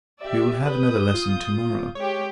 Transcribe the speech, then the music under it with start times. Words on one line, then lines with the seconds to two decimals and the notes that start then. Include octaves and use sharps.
We will have another lesson to-morrow.
0.20 G4 D5 E5
0.65 B4 D#6 G6
1.14 F4
1.95 G#3 G4 C#5